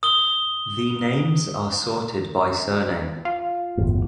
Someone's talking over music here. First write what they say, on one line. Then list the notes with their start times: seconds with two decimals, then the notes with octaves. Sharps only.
The names are sorted by surname.
0.03 D#6 G7
3.25 F4
3.77 G1 E2 A2